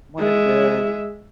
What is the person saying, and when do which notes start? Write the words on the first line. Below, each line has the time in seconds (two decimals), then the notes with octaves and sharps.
one of the,
0.18 G#3 E5